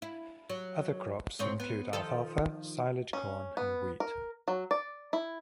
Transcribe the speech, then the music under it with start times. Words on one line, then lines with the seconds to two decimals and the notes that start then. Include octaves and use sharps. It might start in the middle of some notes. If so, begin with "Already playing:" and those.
Other crops include Alfalfa, silage corn, and wheat.
0.02 E4
0.50 F#3
1.39 G#2 C4 C#5
1.60 B3
1.93 D#3 F3 A4
3.13 C#4
3.57 B3
4.00 A#4
4.48 F#3
4.71 D5
5.13 E4